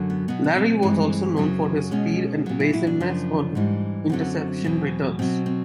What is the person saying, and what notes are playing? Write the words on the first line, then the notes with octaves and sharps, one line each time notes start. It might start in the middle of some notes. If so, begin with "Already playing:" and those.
Lary was also known for his speed and evasiveness on interception returns.
Already playing: F#2 D3 F#3
B3
B2 F#3 B3
B3
C4
G2 E3 G#3
F#2 C#3 F#3
B2 G#3 C#4
A#2 F#3
E4
E4
D4
F#2 C#3 F3
G#2 E3 G3
F#2 D3 F#3 C4
E2 B2 F#3
B2 F#3 C4
C4